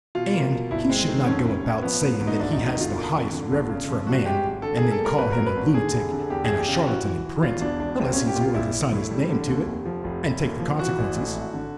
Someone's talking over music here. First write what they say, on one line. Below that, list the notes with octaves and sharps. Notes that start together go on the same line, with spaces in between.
And he should not go about saying that he has the highest reverence for a man, and then call him a lunatic and a charlatan in print, unless he is willing to sign his name to it, and take the consequences.
B2 F4
A#3
B2
G1 E4
G#3 C4
D#3 C4
F2 C#4
F1
F1
F3 B3
G#2
G#2
D#4
D2 D4
E1 D#4
D#4
D3
F4
A#3
F2
D3
G1
C#3
F2
G2 F#4
G#3 G4
G#1
D3 A4
A#3 G#4
A4
G3
A#4
G#1 B4
A#4
F#2
B4
G#1
D3 G#4
F1
D3
E2 G4
E2 G#4
G4
C#3
E3 F#4
E3
E3
E1 F4
E2 D4
E1 D4
C2 C4
C2 C#4
G4
A#2
F4
A#1 E4
A#1
A2
G3
D3
D#2
F1
F3
F1
F1
D#2
F3
E3 F#4
A1
A2
G#1
D3